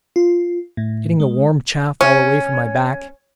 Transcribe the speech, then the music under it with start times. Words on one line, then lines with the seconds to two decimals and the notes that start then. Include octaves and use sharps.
"Getting the warm chaff all away from my back!"
0.16 F4
0.77 A2
1.20 G#3
2.01 C#4